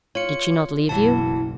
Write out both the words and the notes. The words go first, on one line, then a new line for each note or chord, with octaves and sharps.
"Did she not leave you?"
F4 C#5 C#7
F#1 B1 E3 F#3 A5